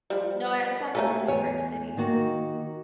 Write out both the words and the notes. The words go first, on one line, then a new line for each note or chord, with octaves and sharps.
No, I was actually in New York City.
F3 G3
A3 A#3 G4 A4 C#5 G#5
E2 C#5 G#5
D#3 A#3 F#4